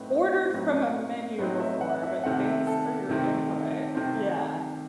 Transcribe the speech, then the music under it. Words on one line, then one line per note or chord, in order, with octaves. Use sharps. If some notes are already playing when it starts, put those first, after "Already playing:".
ordered from a menu before, but thanks for your input, yeah.
Already playing: A2 F#3 C4 D#4 B4 F#5
D#5
C5
A2 F#3 C4 D#4 B4
A2 F#3 C4 D#4 B4
E5
F#5
E5
C3 D#3 A3 C4 F#5
E5
A4
C3 D#3 A3 C4
C3 D#3 A3 C4